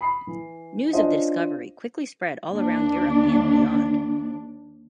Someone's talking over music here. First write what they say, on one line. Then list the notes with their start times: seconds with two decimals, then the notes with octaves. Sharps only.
News of the discovery quickly spread all around Europe and beyond.
0.01 B5 D#6 C7
0.27 E3
0.93 C#4 D4 F4 C5 D#5
2.51 D#2 D4